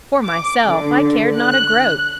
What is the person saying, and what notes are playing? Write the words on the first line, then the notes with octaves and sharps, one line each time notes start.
For myself, I cared not a groat.
D6
D3
F#6